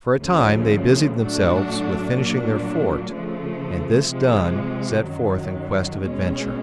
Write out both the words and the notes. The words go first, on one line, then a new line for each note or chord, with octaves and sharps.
For a time they busied themselves with finishing their fort, and, this done, set forth in quest of adventures.
D2 C#3 F3 A3
A2 F#3 A3 D4 F#4
A#2 F#3 A#3 D4
C#3 F3 A3
C3 F3 G#3
F#2 D#3 F#3
B2 G#3 C#4